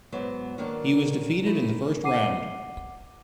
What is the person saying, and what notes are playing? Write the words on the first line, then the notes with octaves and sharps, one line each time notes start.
He was defeated in the first round.
G#2 F#3 B3
D#3 F#3 A#3 D4
A3 D#4 E4
F#5 D6 C7 D#7